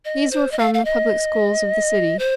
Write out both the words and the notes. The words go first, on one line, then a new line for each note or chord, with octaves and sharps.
These were from the public schools of the city.
D#5
C5
D#5
F5
F5
D#5
C5